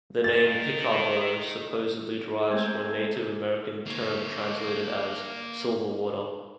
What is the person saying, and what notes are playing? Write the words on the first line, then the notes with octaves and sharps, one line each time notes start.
The name "Picabo" supposedly derives from a Native American term translated as "silver water".
D#3 A6
G#3 A3 C4 C5 G#5 A#5
A#3 C#5